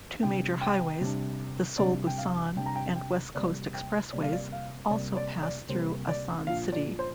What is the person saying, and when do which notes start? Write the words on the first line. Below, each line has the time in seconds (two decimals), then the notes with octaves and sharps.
Two major highways, the Seoul-Busan and West Coast expressways, also pass through Asan city.
0.22 C3 G3 D4 G5
0.61 G5
1.01 C3 G3 D4
1.78 C3 G3 D4 D5
2.07 G5
2.18 F5
2.56 C3 G3 D4 G5
2.66 A#5
2.76 G5
2.96 G5
3.35 C3 G3 A#3 D5
3.74 G5
4.13 C3 G3 A#3 D5
4.23 F5
4.33 D5
4.52 F5
4.90 C3 G3 A#3 D5
5.17 D5
5.43 D5
5.69 C3 G3 A#3 C5
6.09 D5
6.47 A#2 F3 D4 F5
6.72 D5
6.99 C5